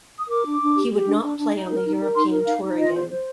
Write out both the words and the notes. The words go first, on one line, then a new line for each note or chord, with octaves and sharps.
He would not play on the European Tour again.
D#6
A#4 D6
D4
D4
G4
G4
D4
D4
D4
D#4
A#4
D#4
A#4
D#4 C6
A#4
D#4 F5
D#4
F4 D#5
C5
C5